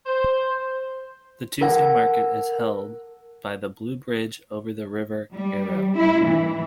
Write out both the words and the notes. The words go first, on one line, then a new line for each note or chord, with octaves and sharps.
The Tuesday market is held by the blue bridge over the River Iro.
C5
A4 A#4 F#5
G3
E4
E3